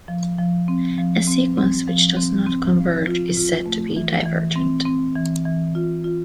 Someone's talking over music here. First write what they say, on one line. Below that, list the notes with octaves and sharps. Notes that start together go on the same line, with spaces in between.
A sequence which does not converge is said to be divergent.
F3
F3
C4
F3
C4
C4
F3
C4
C4
F3
F4
F4
A3
E3
E3
C4
C4
E3
E3
F4
F4